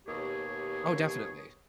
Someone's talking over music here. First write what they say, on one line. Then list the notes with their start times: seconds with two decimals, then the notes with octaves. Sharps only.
Oh, definitely.
0.07 D#2 B2 G4 G#4 C#5